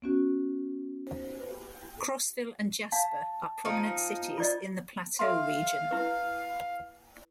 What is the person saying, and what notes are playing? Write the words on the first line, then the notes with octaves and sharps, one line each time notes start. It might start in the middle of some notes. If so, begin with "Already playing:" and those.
Crossville and Jasper are prominent cities in the Plateau region.
B3 C#4 F#4
F5 A5
F3 D#4
F4 D5 D#5
A4 E5 F5 C6
E4 B4